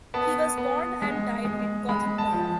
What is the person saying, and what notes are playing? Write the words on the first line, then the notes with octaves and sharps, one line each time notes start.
He was born and died in Gothenburg.
B3 A5
B3
G#3
G#3
G#3 B5
A5
F3